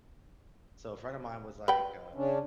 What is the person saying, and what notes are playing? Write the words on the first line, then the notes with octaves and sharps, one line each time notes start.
so, a friend of mine was, like, uh
B4 G5
C#3 C#4 D4